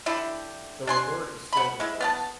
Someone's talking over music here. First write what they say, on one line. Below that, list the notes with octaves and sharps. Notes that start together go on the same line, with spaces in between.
The reward is still in force.
D3 E4 G4
D4 G#5 C6
F#5 B5
G#3 E4
B3 F#5 A5